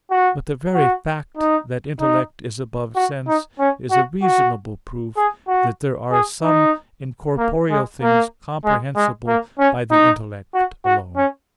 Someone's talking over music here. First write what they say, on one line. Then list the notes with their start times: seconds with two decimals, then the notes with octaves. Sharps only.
But the very fact that intellect is above sense is a reasonable proof that there are some incorporeal things comprehensible by the intellect alone.
0.11 F#4
0.74 F#4
1.37 D#4
2.00 D#4
2.96 F#4
3.27 D#4
3.59 C#4
3.91 F#4
4.22 F#4
5.17 G#4
5.48 F#4
6.12 G#4
6.43 D#4
7.38 A#3
7.70 G#3
8.02 A#3
8.65 G#3
8.96 G#3
9.27 A#3
9.59 C#4
9.91 D#4
10.54 F#4
10.85 F#4
11.17 C#4